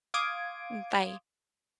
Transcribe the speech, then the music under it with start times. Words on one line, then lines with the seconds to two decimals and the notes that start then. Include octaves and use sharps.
Mm, bye.
0.14 F5 C6 D6 D#6 G#6 D7